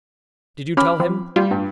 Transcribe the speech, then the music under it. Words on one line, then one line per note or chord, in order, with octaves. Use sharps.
Did you tell him?
C#4 B5 D6 F6
F3 C4
G3 F4
G2